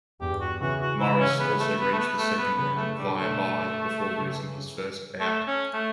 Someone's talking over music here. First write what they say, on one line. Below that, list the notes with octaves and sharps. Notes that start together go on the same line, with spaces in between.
Smoris also reached the second round via bye before losing his first bout.
E2 G2 G4
F#4
C#3 E3 F#4
F#4
C#3 E3 E4
C#4
B3
A3
B3
A3
B3
A3
B3
C#3 E3 B3
A3
B2 D3 G3
A3
C#3 E3
A3
C#4
A3